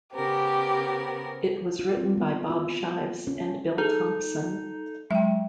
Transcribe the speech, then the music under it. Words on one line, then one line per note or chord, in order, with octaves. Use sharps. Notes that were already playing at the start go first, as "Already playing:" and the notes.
It was written by Bob Shives and Bill Thompson.
C#3 B3 G4 A#4 C5
F4
C4
B3
F4
C#4
D#4 G#4 A4
F#3 G#3 E5 G5